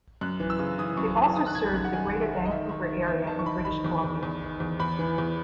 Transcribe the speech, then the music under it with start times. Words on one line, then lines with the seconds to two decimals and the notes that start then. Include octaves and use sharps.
It also serves the Greater Vancouver area in British Columbia.
0.21 F#2 F#6
0.40 E3
0.50 E6
0.59 C#3
0.78 E3 D#6
0.97 F#2 C#6
1.17 E3 D#6
1.36 D#3 D#6
1.47 F#6
1.55 D#3 G#6
1.74 F#2 F#6
1.85 F#5
1.93 D#3 G#5
2.12 D#3
2.21 E5
2.32 D#3
2.46 D#5
2.51 D#3 E5
2.69 D#3
2.89 D#3
3.08 E2 E5
3.27 D#3 A5
3.39 C#6
3.46 D#3 B5
3.65 D#3 B5
3.84 E2
4.04 E2
4.23 E2
4.42 D#3
4.60 E2
4.80 E2 B5
4.99 E3
5.18 E2